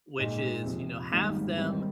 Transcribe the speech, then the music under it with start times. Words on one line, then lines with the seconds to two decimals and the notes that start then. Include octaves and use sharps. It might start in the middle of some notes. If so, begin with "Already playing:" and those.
which is, you know, have them
0.17 A#2 G#3 D#4
0.64 F2 C3 F3
1.11 G#2 D#3 G3 A#3
1.57 G#2 D#3 G3 C4